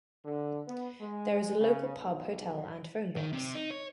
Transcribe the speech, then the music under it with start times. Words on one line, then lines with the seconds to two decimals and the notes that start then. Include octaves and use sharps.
There is a local pub, hotel and phonebox.
0.25 D3
0.68 B3
1.01 G#3
1.60 C#3
1.99 B1
3.16 D#3
3.33 C3
3.55 D#4
3.70 C#5